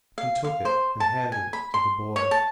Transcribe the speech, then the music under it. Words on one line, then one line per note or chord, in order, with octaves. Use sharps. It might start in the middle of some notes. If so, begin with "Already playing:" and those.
He took it and handed it to the boy.
F5
F5
C5
A5
G#5
B5
C6
C#5
A5